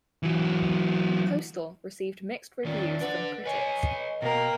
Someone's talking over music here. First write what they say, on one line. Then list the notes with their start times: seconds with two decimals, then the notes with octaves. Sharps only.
"Postal" received mixed reviews from critics.
0.23 E3 F#3
2.65 D#3 C#4 F4 D5
3.00 D4 B4 F#5
3.46 B4 C#5 D#5 G#5
4.22 B2 A#3 A#4 G5